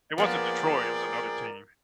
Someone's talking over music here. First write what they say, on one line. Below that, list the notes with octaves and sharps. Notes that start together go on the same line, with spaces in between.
It wasn't Detroit, it was another team.
F3 A#3 B3 G#4 A#4 D5 G5